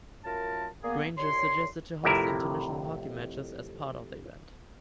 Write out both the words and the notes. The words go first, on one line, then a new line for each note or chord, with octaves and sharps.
Granger suggested to host international hockey matches as part of the event.
F#2 F4 A#4 A5
A#3 B3 G#4
C2 C#5 C6
F2 A2 C3 E4 A#4 E5